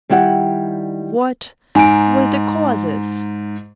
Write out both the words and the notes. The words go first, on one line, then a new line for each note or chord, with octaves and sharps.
"What... were the causes?"
D#3 G3 E4 G4 F#5
G#2 D#4 G#5 A#5 D7